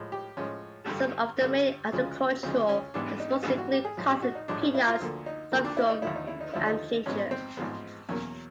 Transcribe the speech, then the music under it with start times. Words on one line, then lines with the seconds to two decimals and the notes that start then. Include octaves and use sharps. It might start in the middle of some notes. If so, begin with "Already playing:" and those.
Some of the main agricultural exports include: cotton, peanuts, sorghum, and ginger.
Already playing: A2 F3 G#3
0.12 G4
0.37 A2 F3 G#3 C#4
0.89 G2 D3 G3
1.41 G2 D3 G3
1.92 D2 C#3 F3 G#3
2.43 D2 C#3 F3 G#3 C4
2.69 C#4
2.94 G#2 E3 G3 B3 D4
3.20 D#4
3.46 G#2 E3 G3 B3
3.58 F#4
3.72 G4
3.85 G#4
3.97 A#1 A2 F3 G#3
4.10 G4
4.22 F#4
4.35 D#4
4.48 A#1 A2 F3 G#3 D4
4.61 C#4
4.75 E4
4.88 F4
5.00 D2 D3 F3 A#3
5.26 D#4
5.52 D2 D3 F3 A#3
5.65 D4
5.77 E4
5.89 D#4
6.02 D#2 D3 F3 A3 E4
6.16 D#4
6.27 E4
6.41 D#4
6.53 D#2 D3 F3 A3 E4
6.66 D#4
7.06 A1 G#2 F3 G#3 B3 C#4
7.31 C4
7.57 A1 G#2 F3 G#3 B3
8.09 E2 B2 F#3 A#3 C#4